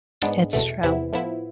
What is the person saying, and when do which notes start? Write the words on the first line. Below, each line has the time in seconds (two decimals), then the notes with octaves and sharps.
It's true.
0.22 G#2 G#3 B3 D4
0.53 E2 B2 A3
0.83 E2 C3 E3 B3 E4
1.12 A2 F3 B3 E4